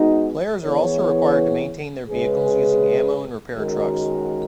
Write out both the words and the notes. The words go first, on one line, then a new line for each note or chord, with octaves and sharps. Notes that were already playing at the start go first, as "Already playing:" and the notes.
Players are also required to maintain their vehicles using ammo and repair trucks.
Already playing: G#3 B3 D#4 F#4
E3 B3 E4 G#4 C#5
C#3 G#3 C#4 G#4 B4
D#3 G#3 C#4 F#4 A#4